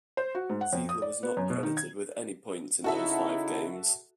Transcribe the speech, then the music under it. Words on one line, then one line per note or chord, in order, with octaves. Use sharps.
Ziegler was not credited with any points in those five games.
C5
F#4
G#2
F#5
F2
D#6
D5
B3
F#2
B2
D#3
G#6
C#3 D#4 E4 F#4 A4 E5